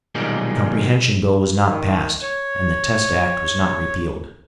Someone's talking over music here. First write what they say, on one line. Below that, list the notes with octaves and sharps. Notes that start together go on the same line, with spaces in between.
The Comprehension Bill was not passed; and the Test Act was not repealed.
B1 A#2 D#3 G3 G#3
D#3
C#5